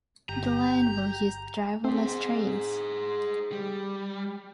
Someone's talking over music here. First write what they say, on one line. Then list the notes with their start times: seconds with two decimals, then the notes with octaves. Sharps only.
The line will use driverless trains.
0.29 G1 G4 A#5
1.85 C4 G#4 C5
3.52 G3